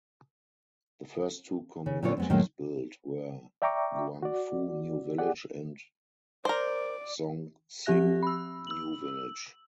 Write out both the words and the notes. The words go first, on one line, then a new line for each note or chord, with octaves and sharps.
The first two communities built were Guangfu New Village and Zhongxing New Village.
C#3
A#2 D3 C4 F4 C#5 D5
G#3 B3 C4
A2 D#3 F#3 G#3 A#3
D5 E5 G5 A#5 C#6 D6
F#4 D5
G4 G#4 D5 F#5
A#4 C5 D5
F3 C4 G4 E5 F#6 A#6
B5 E6
E6 F#7